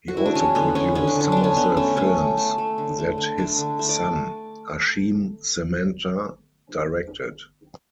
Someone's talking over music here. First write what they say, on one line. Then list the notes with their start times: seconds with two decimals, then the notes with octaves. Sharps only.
He also produced some of the films that his son, Ashim Samanta, directed.
0.08 F#4
0.17 E4
0.26 D4
0.35 G#3 C#4
0.55 D3 B3
0.75 B3 C#4
0.95 D3 C#4
1.08 D4
1.15 D3
1.21 C#4
1.32 B3 D4
1.44 C#4
1.57 D3 B3
1.77 A3 C#4
1.97 A3 C#4
2.18 A3
2.37 A3
2.58 A3
2.78 D3
2.99 A3
3.18 D3
3.38 A3 D4
3.58 D3
3.79 A3
3.89 D5